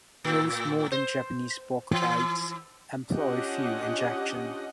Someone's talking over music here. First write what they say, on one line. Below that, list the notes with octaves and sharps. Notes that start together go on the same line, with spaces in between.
Most modern Japanese sportbikes employ fuel injection.
A2
C5
E3
C#4 D4 F4 G4 D#5 F#5